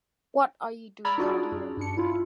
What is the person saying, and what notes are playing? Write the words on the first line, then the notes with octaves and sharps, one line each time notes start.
What are you doing out here.
D5 A#5 B5 E6 F6 G#6
D4 D#4 F4 F#4 G#4 D5
F#2
G2 D4 C#7
E4 F4